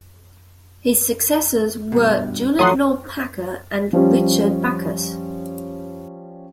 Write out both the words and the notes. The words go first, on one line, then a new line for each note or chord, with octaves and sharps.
His successors were Juliet Law Packer and Richard Backus.
G2 B2
F3 F#3 A3 F#5 C6 D#6
F3 G3 C#4